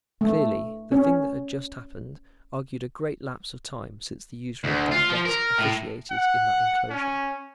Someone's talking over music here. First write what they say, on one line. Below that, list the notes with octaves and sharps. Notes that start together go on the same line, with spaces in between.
Clearly, the thing that had just happened argued a great lapse of time since the user of that desk officiated in that enclosure.
A3
C#4
D2
F4
F3
A#4
A2
F#5
C#4